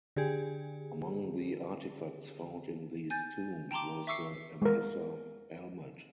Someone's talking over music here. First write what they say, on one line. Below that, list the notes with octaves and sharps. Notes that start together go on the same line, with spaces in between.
Among the artifacts found in these tombs was the Emesa helmet.
D3 G4 G#4
G#5 G6 A6
G5 A5 A#5 C6 D6
E5 C#6 D6 E6 C7 C#7
G#3 A#4